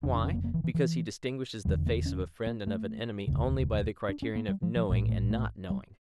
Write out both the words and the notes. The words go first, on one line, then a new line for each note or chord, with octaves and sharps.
Why, because he distinguishes the face of a friend and of an enemy only by the criterion of knowing and not knowing.
F1 F2 C#3 D4
D4
C#4
A#3
A#3
E3
E3
E3
E1 E2 D3 G3
A#3
C#4
A#3
A3
E1 D2 C#3
D4
C#4
A#3
G3
F3
F3
A#1 A2 A3
A3
A3
G3